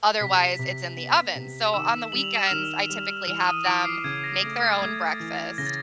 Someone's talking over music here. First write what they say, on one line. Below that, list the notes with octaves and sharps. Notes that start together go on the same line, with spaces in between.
otherwise it's in the oven. So, on the weekends, I typically have them make their own breakfast
C3 B6
C3
B3
C3
D#3 E6 E7
G3 F#7
F7
E7
D#3 F6 F7
G3
E3 F6 F7
D#6 D#7
E3 D6 D7
C7
C#3 G#6
A#6
A3
A6
A3 G#6
E3
C#3 A#6
A6